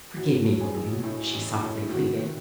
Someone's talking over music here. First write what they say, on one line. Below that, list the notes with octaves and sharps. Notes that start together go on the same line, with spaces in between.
"Forgive me, William," she softly pleaded.
A2 F#4
F#3
G#4
A1
A2
A1
A2
D#3 F#4
D#3